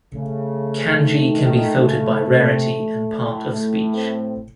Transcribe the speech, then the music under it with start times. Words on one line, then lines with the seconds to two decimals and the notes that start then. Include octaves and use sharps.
Kanji can be filtered by rarity and part of speech.
0.14 C#3 A3
0.99 D#3
1.41 D#3
1.83 C#3
2.26 C3
3.24 A2
3.51 A2 A3
3.94 C4